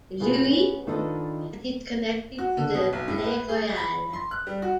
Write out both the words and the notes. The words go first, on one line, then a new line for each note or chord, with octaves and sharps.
Louis had it connected to the Palais-Royal.
B2 F4 G#4 B4
B3 C#4
D#3 D4 F4 A4 B4 D#5
F#4
D3
B2
B1
A2
B4
G#4
B5
C6
F#6
G3
F#4